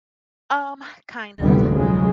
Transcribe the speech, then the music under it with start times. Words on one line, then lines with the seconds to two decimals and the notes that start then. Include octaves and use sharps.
Um, kind of,
1.39 F1 D2 A#2 D3 G3 B3
1.68 F1 C#3 F#3 G#3